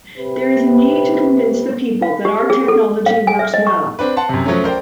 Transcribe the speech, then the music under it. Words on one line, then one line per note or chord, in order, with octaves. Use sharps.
There is a need to convince the people that our technology works well...
C3 B4
F5
G4
G#4
A4
F5
G#5
E5
D#5
C#6
C4 D4 B4
F#5 A5 C6
F#2 C3
F3 F#3 A3 C#4
A#4 C5 D5 G5